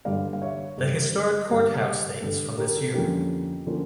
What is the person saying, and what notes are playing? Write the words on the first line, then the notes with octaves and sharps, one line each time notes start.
The historic courthouse dates from this year.
G2 D3 G3 D5 F5
F5
C#5 E5
G2 D3 G3 A4
G2 D3 G3
G2 D3 G3 A4
G4 A#4
A4
F2 D3 F3 A#3 C#4 G4
D3 F3 A#3 C#4